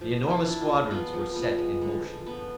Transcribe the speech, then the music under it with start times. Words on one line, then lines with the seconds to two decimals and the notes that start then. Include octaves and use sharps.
The enormous squadrons were set in motion.
0.01 F3
0.23 D4
0.30 E4
0.46 D4
0.61 F4
0.68 G#3
0.91 B3 F4
1.13 F3
1.36 B3
1.58 G#3
1.82 D3
2.04 F3
2.27 B3